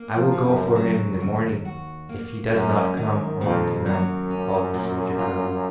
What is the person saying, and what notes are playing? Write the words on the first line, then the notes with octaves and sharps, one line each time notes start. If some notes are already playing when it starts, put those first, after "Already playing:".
"I will go for him in the morning, if he does not come home to-night," called the soldier cousin.
Already playing: A#3
F3
C#3
F#2
F#3
D#2
F#4
A#3
F#2 C#4
F#2 D#3
F2 A#2
F#2 F#3
C#4
A#2
F4